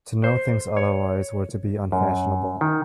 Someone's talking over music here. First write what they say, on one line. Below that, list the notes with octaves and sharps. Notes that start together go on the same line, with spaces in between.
To know things otherwise were to be unfashionable.
C5
C#5
F#2
D#3